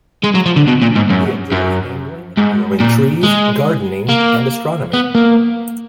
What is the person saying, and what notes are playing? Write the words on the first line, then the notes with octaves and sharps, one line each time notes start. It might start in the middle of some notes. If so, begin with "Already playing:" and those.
He enjoys angling, growing trees, gardening and astronomy.
G#3
F#3
F3
D3
B2
A#2
G#2
F#2
F#2
G#2
A#2
G#3
A#3
B3
A#3